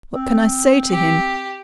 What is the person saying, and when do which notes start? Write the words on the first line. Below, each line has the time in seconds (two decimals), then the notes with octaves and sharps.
What can I say to him?
0.15 C4
0.90 G4